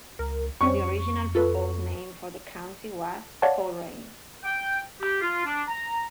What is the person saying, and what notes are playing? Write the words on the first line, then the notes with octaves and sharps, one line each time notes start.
The original proposed name for the county was "Colerain".
C#2 A#4
F2 G3 C4 C#4 C#6
F4 A4 B4
C#5 D5 F5 F#5 A5
G5
G4
F4
D4
A#5